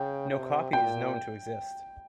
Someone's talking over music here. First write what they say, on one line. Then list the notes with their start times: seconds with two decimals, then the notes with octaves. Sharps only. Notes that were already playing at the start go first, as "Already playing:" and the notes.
No copy is known to exist.
Already playing: C#3 G5
0.30 C3
0.73 A#2 G5